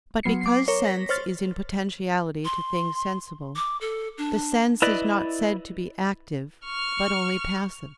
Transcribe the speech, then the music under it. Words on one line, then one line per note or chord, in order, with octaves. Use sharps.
But because sense is in potentiality to things sensible, the sense is not said to be active, but only passive.
F#3 B3 C7 C#7
D6 C7
A#4 C#5
A#6 B6
C5 C#5 F6 A6
C6
D6
A4
D4
E4 B4 D5 D#5
C#6 F6